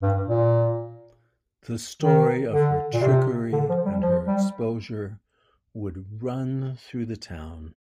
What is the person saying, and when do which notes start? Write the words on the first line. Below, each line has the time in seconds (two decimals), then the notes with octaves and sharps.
The story of her trickery and her exposure would run through the town.
0.03 G2
0.27 A#2
2.02 D#3
2.53 D3
2.94 A#2
3.02 C3
3.53 D3
3.69 F3
3.86 G3
4.02 F3
4.27 G3